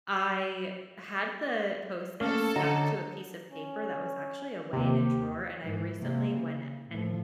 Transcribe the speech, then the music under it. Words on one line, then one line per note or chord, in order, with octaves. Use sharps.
I had the Post-it stuck to a piece of paper that was actually away in a drawer, and I recently went a and
A3 A#3 C#4 A4
D3 F#4 C#5 D#5 A#5
C#4
D#2 C3 G4
G#2 E3
C3 A#3
C#3
A2 F3